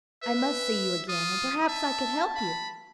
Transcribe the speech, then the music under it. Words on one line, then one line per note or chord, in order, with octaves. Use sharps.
I must see you again; and perhaps I could help you.
B4 E5
F4 D#6
E5 A5
B5